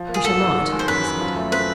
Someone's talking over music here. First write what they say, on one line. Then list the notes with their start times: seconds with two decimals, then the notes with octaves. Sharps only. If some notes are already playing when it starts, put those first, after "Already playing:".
"We shall not," he said.
Already playing: F3
0.09 A#3
0.14 G#4
0.24 G#2 A4
0.40 G#2
0.57 D#3
0.72 G#3
0.79 C5
0.88 F#2 B4
1.04 F#2
1.21 F3
1.36 A3
1.51 C4 B4